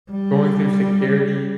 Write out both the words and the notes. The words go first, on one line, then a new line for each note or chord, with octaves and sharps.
going through security,
G3